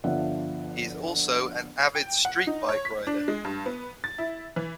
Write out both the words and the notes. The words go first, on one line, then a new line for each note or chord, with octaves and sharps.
He is also an avid street bike rider.
G1 F3 D4 E5 F#5
G5
F#5
D#4
C#5
B6
D4
G#3
G2
B3
A6
E4
E3